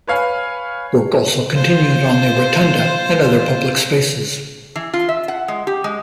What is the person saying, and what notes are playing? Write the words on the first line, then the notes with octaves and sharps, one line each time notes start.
Work also continued on the Rotunda and other public spaces.
B4 C#5 F5 G#5 B5
F4 C5
E3
F4
E5
F#5
G#3
G4
G#3